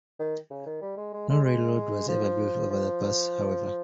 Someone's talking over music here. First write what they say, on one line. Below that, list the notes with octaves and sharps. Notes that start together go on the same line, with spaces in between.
No railroad was ever built over the pass however.
D#3
C#3
D#3
G3
G#3
G#3
G#3
G#3
F3
F3